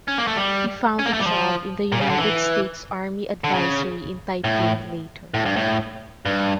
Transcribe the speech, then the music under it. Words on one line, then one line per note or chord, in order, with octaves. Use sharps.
He found a job in the United States Army Advisory in Taipei later.
C#4
A#3
A3
G3
C#4
A#3
A3
G3
F3
A#2
C#3
D3
E3
D3
C#3
A2
A2
G2
A2
G2